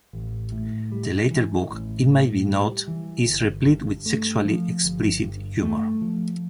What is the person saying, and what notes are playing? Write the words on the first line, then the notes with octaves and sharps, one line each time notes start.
The latter book, it may be noted, is replete with sexually-explicit humor.
A1
A2
G3
E3
A1
A2
G3
E3
G1
G2
A3
F3
G1
G2
A3
F3